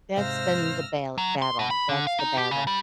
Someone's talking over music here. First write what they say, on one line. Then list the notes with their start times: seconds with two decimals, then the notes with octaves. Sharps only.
That's been the bal battle, that's the battle.
0.16 G#2 C3 C5 F5 E6 F6 A#6
1.18 F#3
1.42 C6
1.59 B2
1.70 B5
1.89 D3
2.07 F5
2.19 D#4
2.37 G4
2.51 C#3
2.67 G3